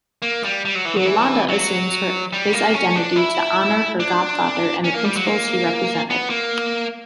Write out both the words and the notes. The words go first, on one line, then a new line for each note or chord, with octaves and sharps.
Yolanda assumes his identity to honor her godfather and the principles he represented.
A#3
G3
G3
F#3
E3
F#3
E3
F#3
G3
A#3
C#4
D4
E4
D4
C#4
A#3
G3
F#3
A#3
B3
A#3